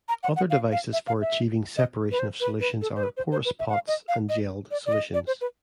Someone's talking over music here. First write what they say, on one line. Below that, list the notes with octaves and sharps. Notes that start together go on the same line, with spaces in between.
Other devices for achieving separation of solutions are porous pots and gelled solutions.
A#5
F#5
F#5
F5
F5
E5
F5
E5
D#5
B4
C5
B4
B4
A4
C5
B4
C5
C5
B4
E5
F#5
F5
D#5
F5
D#5
D5
D5
D#5
D5
C5
B4